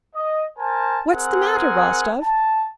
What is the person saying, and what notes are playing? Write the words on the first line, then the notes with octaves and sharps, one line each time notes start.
What's the matter, Rostov?
D#5
A#4 C5 G#5 A5
C4 G#4 A#4 F#5 G#5
A5